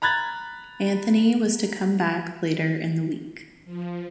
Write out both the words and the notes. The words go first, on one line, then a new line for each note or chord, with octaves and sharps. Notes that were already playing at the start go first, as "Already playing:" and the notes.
Anthony was to come back later in the week.
A#5 B5 F#6 G#6 A6
F3